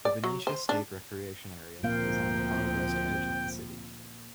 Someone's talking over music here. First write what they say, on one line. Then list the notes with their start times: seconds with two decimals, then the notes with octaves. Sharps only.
The Benicia State Recreation Area is on the far west edge of the city.
0.05 D5
0.24 F#3
0.47 C5
0.69 D4
1.83 D2 A#2 F3 A#3 C4 F5 G5